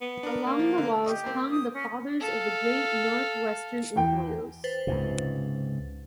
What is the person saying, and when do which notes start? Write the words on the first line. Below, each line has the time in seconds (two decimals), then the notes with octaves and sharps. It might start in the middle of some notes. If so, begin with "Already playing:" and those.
Along the walls hung the fathers of the Great Northwestern in oils.
0.01 B3
0.23 D4 A#4
0.47 A#3
0.59 F3
0.78 D3
1.06 G4 D#5
1.24 A#3 C4
1.50 D#6
1.74 C#4
2.20 A4 F5
3.96 E2 G5
4.64 B4 C5 A6
4.87 C#2 G#2 C3